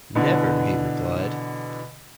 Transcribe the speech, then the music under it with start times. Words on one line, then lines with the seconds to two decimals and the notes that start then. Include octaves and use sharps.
'Never,' he replied.
0.15 B2 D3 E3